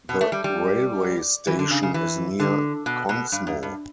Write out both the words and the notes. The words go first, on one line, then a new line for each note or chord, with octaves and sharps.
The railway station is near Konsmo.
B2
A3
G3
G3
E3
D3
C#3
C#3
E3
D3
B2
B2
G2
F#2
G2